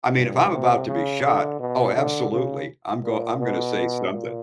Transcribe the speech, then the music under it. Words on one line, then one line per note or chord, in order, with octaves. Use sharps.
I mean, if I'm about to be shot, oh, absolutely, I'm go I'm gonna say something.
G2
C3
C#3
D3
B2
D3
C#3
A#2
B2
A#2